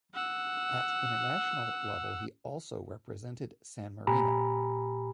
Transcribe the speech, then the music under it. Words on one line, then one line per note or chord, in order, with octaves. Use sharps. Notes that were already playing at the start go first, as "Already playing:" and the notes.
At international level, he also represented San Marino.
F#5 E6
A#2 G4 G#5 A#5 B5